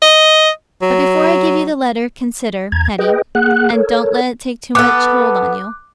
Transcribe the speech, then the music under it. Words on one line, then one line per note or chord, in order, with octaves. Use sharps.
But before I give you the letter, consider, Hetty, and don't let it take too much hold on you.
D#5
F#3
E2 A#5 G#6
G#4 B4 D#5 G5
A#3 G#4 F#5 F#6
A4 A#4 C#5
B3 A4 D6 F#6